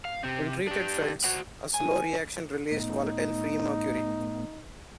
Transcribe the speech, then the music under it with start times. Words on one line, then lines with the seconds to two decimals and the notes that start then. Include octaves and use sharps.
In treated felts, a slow reaction released volatile free mercury.
0.05 F5
0.24 C3 C4
0.67 D4 G4
1.24 F#4 C5 F#5
1.74 G#5
2.71 A2 A3 B3 D#4